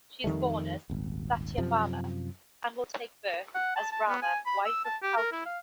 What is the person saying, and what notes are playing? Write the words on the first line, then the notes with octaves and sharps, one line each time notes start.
She is born as Satyabhama and will take birth as Rama wife of Kalki.
F2 D#3 G3 A3
D#1 G#1
F#2 C3 F3
F#5
A5
A5
B3
G#5
B5
E6
A5
G4
A#4
E4
F5